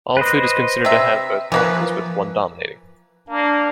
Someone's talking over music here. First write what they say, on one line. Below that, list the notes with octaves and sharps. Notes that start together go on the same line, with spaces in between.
All food is considered to have both properties, with one dominating.
B4 C5 D#5
C3 E5
E3 F3 A#3 B4
A#3 D4